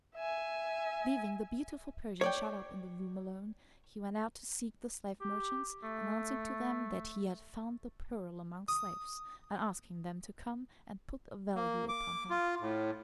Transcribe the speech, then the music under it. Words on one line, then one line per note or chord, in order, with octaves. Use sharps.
Leaving the beautiful Persian shut up in the room alone, he went out to seek the slave merchants, announcing to them that he had found the pearl among slaves, and asking them to come and put a value upon her.
E5 G#5
C#5 D5 G5
G4
A3
D#6
A#3
D6
F4
A2